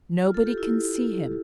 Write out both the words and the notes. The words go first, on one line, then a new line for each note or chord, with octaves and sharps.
Nobody can see him.
F4
A4
G4
E4